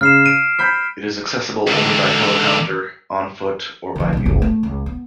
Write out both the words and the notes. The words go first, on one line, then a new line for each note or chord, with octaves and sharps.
It is accessible only by helicopter, on foot or by mule.
C#3 F6 C7 E7
D7 D#7
B5 G6 B6
G#2 D3
D3 F3
B1 G3
G1 C#2
A3
C#2
B3